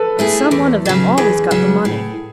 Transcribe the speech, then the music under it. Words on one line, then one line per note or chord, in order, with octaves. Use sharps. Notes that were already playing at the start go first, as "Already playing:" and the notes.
But some one of them always got the money.
Already playing: A4 B4
A3 E4 G#4
E2
C#3 F#3
E2 G#4
C#3 F#3
A2